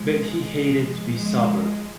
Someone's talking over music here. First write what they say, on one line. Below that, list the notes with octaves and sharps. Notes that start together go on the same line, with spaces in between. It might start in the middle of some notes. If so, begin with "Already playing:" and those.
But he hated to be sober.
Already playing: F3 G#3
F3 G#3